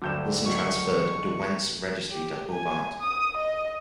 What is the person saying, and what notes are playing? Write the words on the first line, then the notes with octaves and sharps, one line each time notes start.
Wilson transferred "Derwent"s registry to Hobart.
D2 G2 D3 F#3 G6 E7
C#2 F#3 C#6
G4
G#5
D#6
D#5